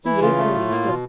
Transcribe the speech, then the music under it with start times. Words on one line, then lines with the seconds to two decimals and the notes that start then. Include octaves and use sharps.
He ain't no oyster.
0.05 E3 E4
0.21 C#3 F4
0.37 A3
0.54 A2
0.70 A#3
0.86 B2